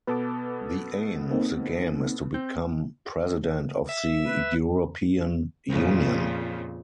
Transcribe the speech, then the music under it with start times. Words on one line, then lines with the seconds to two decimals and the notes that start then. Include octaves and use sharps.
The aim of the game is to become President of the European Union.
0.07 B2 B3 A4 B4 A5 D6
1.31 A#3 C4 D#4
2.34 C4 G6
3.89 E5
4.26 B4
5.69 F2 A#2 C#3 F3